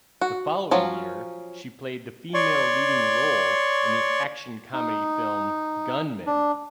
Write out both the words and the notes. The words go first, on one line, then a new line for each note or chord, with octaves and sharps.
The following year, she played the female leading role in the action-comedy film, "Gunmen".
F#4
F3 F#3 C#4
C#5 D5 C6 C#6
D#4
D4